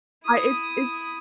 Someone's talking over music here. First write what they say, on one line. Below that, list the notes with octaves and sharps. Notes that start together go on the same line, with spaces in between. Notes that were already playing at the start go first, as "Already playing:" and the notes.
I it's it's
E4 D#6